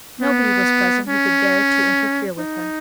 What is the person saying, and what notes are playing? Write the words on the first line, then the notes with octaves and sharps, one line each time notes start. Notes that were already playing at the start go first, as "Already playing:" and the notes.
Nobody was present who could dare to interfere with her.
B3
C#4
D#4